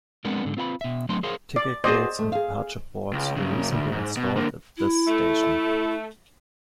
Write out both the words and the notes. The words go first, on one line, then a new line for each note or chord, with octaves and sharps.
Ticket gates and departure boards were recently installed at this station.
G#3 B3 C4 D4 A#4 B4
G#2 D3
C4 F4 B4 F5 B5
B2 E5
F#3 A3 B3 C4 D4 C6
G#4 A#4 C5 C#5 F5
D5
B3 F#4 G#4 C5 D5 D#5
A3
G#4 F5
C#2
F#2 C#3
D2
G#2
B2
D3 A#3
E4
A3